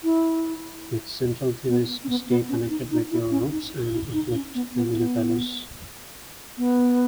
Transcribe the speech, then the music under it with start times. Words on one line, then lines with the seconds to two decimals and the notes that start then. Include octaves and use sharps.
Its central theme is to stay connected with your roots and uplift family values.
0.04 E4
1.68 B3
2.04 C#4
2.09 B3
2.29 B3
2.49 C#4
2.69 D#4
2.91 D#4
3.11 E4
3.31 C#4
3.52 D#4
3.93 E4
4.13 D#4
4.34 C#4
4.55 B3
4.75 B3
4.94 B3
6.58 B3